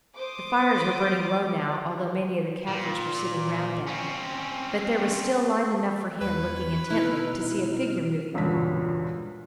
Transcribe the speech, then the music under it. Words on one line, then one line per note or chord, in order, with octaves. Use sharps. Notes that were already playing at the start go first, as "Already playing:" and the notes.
The fires were burning low now, although many of the Kaffirs were sitting round them; but there was still light enough for him, looking intently, to see a figure moving along.
C5 D6 D#6
A#2
C4 C#4
E2 B4 C#5
B2 D#4 E4 F6
E1 C#2 G2 A#2 B6